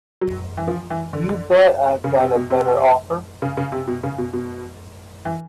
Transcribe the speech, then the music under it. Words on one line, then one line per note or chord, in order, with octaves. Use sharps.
You bet I've got a better offer.
F#3
E3
F3
E3
D3
C#3
C3
B2
C3
C#3
C#3
C3
B2
C#3
B2
B2
E3